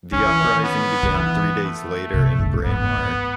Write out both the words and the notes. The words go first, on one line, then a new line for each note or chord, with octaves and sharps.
The uprising began three days later in Braemar.
D#3 C#4
E3
D#3
B3
D#3
E3 B3
A3
C#3
B2
A2
B2
A2
G#2 B3
G#2
E2